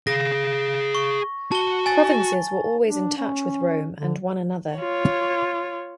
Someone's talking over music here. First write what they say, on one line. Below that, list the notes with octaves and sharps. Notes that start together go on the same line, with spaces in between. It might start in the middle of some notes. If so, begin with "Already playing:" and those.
Provinces were always in touch with Rome and one another.
G#4 F5 A#6
C#6
F#4 A5 G7
G#5 A6
D4
C#4
D3
F4 C#5